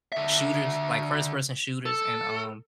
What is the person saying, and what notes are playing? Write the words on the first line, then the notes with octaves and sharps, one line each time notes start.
shooters like, first-person shooters and, um
D3 E5
A4